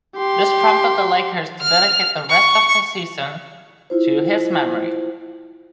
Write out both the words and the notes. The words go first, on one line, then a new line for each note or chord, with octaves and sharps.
This prompted the Lakers to dedicate the rest of their season to his memory.
G4 C6
F6
C#6
E4 F4 C5